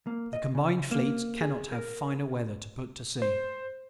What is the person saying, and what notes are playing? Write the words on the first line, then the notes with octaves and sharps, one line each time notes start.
The Combined Fleets cannot have finer weather to put to sea.
A#3
D#5
C#3
A#3
G#4
A#4
C5